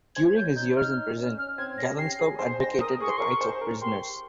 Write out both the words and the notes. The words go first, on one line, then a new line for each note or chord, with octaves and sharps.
During his years in prison, Galanskov advocated the rights of prisoners.
C5 G#6
C#5 G6
D#4 G6
D#4 F6
D#4
C#4
C#4 F6
C4 G#6
C#4 A#6
G4 C7
G#4
C5
C5 A#6
A#4 D#6
G#4 C#6
C6
A#4 C#6
C5
A#4
G4 C6